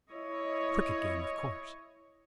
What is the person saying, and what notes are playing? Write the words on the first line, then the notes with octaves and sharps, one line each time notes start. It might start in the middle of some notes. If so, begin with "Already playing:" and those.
A crooked game, of course.
E4 C#5 D#5